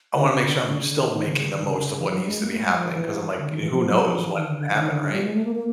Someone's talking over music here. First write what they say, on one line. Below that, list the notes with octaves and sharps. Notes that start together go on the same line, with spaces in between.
I wanna make sure I'm still making the most of what needs to be happening, 'cause I'm like, eh, who knows what will happen, right?
D3
C#3
D3
C#3
D3
C#3
D3
D#3
D#3
C#3
D3
D#3
C#3
C#3
E3
F#3
G#3
A#3
A3
G3
F3
E3
D3
D#3
E3
F3
F#3
F3
E3
D#3
D3
D3
E3
D3
D#3
D3
D3
G3
G#3
A3
A#3
A#3